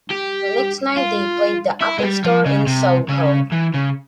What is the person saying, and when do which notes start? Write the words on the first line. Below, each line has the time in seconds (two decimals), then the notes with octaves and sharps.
The next night they played the Apple Store in SoHo.
0.11 G4
0.97 F4
1.81 E4
1.98 G#3
2.03 G3
2.25 F3
2.46 C#3
2.67 C3
3.09 C#3
3.52 E3
3.74 C#3